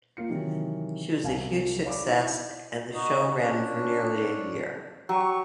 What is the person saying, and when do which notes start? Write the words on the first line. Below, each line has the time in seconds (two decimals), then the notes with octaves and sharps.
She was a huge success and the show ran for nearly a year.
0.17 A#3 F4 C#7
0.29 C3 D#3 E3 F#3
1.24 C2 F5 G#5
1.83 C#5 D5 F5 B5 D6
2.08 D#4 E4 F5
2.94 D#4 F#4 D#5
3.36 C#4 D4
5.09 F#3 G4 C#6